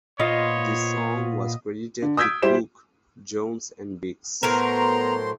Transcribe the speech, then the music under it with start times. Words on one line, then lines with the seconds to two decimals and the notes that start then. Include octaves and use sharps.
The song was credited to Cook, Jones and Biggs.
0.20 A#2 B3 F4 C5 C#5 D#5
2.02 D3
2.17 D#6 E6 G6 G#6 B6 D7
2.42 G3 E4 G4 C5 C6 E7
4.43 A2 F#3 B3 A#4 C5 A#5 C6